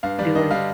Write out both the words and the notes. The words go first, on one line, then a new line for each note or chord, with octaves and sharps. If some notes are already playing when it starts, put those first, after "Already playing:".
Do it.
G2 F5
D3 G3 D5
G2 D#5
D3 G3 F5